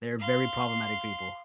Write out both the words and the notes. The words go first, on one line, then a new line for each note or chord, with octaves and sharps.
They're very problematic people.
F5 C6